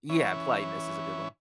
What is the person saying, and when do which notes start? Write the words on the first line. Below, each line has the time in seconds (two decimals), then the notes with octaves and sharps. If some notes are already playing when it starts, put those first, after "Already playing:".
Yeah. Politeness is a good one.
0.10 E3 C#4